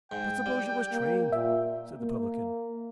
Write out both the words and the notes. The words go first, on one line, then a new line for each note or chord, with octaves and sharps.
"But suppose you was trained?" said the publican.
G#2 G5
G3
A#3
A#2 E5
A#3